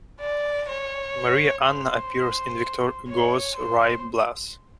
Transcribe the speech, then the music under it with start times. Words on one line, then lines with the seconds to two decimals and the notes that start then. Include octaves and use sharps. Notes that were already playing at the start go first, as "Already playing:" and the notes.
Maria Anna appears in Victor Hugo's Ruy Blas.
0.20 D5
0.69 C#5
1.65 C5
3.09 C#5
3.57 C5